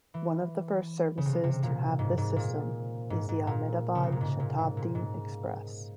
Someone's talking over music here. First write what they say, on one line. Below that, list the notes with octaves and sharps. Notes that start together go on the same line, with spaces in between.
One of the first services to have this system is the Ahmedabad Shatabdi Express.
E3
C#3
C3
C3
A#2
G#2
G#2
A#2
G#2
G#2
A#2
C#3
C3
A#2
G#2
A#2
G#2
A#2
G#2